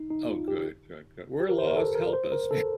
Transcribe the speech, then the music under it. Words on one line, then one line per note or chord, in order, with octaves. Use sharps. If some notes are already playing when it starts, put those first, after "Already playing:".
Oh, good, good, good. "We're lost. Help us."
Already playing: D#4
D#4
F4
G4
G4
A#4
C5
A#4
A4
A#4
C5
A#4
A4